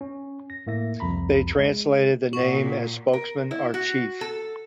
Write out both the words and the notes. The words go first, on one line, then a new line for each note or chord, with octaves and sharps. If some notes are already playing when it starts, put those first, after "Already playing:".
They translated the name as "Spokesman" or "Chief".
C#4
A#6
A2 A#3 E5 A#6
C2 F2 A#5 B5
G#3
A#2 F#4
A#4
E4
F#4
A4